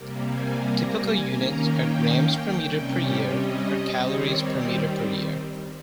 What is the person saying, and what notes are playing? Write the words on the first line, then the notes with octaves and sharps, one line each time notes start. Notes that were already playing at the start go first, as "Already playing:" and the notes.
Typical units are grams per meter per year or calories per meter per year.
Already playing: C3 G3 A#3
G#5
A#5
G#5
D#3 A#3 C#4 A#5
G5
C3 G3 C#4
D#5
D#3 G3 C4 C#5